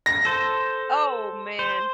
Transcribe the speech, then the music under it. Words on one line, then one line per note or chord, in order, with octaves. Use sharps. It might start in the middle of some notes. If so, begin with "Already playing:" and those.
Oh, man.
A#6
A4 C5
C5